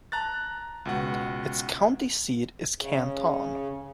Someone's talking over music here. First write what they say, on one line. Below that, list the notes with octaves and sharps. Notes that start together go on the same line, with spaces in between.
Its county seat is Canton.
A5 A#5 F#6 A6
C#2 B2 F#5
C#3